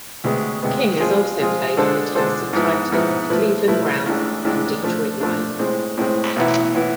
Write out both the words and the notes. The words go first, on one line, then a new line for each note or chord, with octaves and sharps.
King has also played for the Tennessee Titans, Cleveland Browns and Detroit Lions.
D2 C3 G#3 B3
D2 C3 G#3 B3
F3 G#3 C4 F4 G#4
F3 G#3 C4 F4 G#4
D3 G#3 D4 A4 C5
D3 G#3 D4 A4 C5
G#2 F3 B3 E4
G#2 F3 B3 E4
F3 A3 E4 B4
F3 A3 E4 B4
A1 A2 E3 G#3 D4
A1 A2 E3 G#3 D4
F3 A3 D4
F3 A3 D4
A2 G#3 C4
A2 G#3 C4
B1 A2 E3 B3 E4
A2 E3 B3 E4